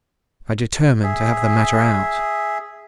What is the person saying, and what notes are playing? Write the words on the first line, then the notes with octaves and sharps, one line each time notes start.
I determined to have the matter out.
G#4 E5